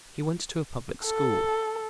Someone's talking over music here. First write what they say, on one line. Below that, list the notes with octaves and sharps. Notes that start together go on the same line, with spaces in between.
He went to a public school.
A4